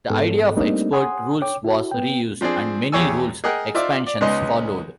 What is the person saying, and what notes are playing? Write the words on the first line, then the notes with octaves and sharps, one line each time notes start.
The idea of "Expert" rules was re-used, and many rules expansions followed.
G#2 B3 A4
G3 A3 A#3 C4 D4 D#4
F#5 G#5 C6 D#6
C#5 G5 D6
E4 F#4
B3 G5
F3 C4 D4 G#4
E2 G4 G#4 C#5 G#5 E6
G#4 A#4 D#5 F#5 G5
D#4 F4 C5 D5 E5 D6
D5
C#2 G#3 B3 D#4 D#5 C6